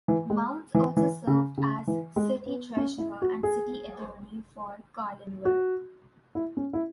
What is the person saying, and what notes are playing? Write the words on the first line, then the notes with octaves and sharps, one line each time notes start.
Mounts also served as city treasurer and city attorney for Carlinville.
E3
G#3
E3
E3
C#3
C#3
E3
G#3
B3
C#4
E4
F#4
G#4
F#4
E4
C#4
E4